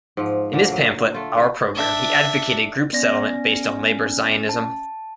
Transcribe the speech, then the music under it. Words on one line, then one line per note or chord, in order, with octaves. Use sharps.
In his pamphlet "Our Program" he advocated group settlement based on labour Zionism.
G#2 F3
A#2 D3 A#3
F#3
A3 F4
C#3 E4 F4
D4 E5
B3 C#4 D5 A#6
A5